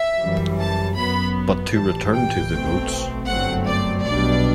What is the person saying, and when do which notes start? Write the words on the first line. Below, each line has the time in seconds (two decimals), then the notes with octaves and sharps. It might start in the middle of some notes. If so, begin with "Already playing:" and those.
But to return to the goats.
Already playing: E5
0.20 F#2 E3 G3
0.58 A5
0.96 F#2 F#3 B3 B5
1.73 A2 E3 G3 A5
2.13 G5
2.51 B1 B2 A3 C4
3.27 G1 F#2 F#3 A3 C4 F#5
3.66 D5
4.04 B1 B2 G3 D4 D5